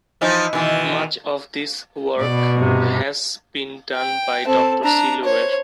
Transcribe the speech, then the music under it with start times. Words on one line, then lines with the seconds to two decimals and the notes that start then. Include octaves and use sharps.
Much of this work has been done by Doctor C. Luer.
0.21 E3 F3 D#4
0.53 B2 D#3 E3
2.19 B2 D5
2.56 G2 C3
3.95 G5
4.45 C4 A4
4.84 D4 A#5
5.24 C5 C#5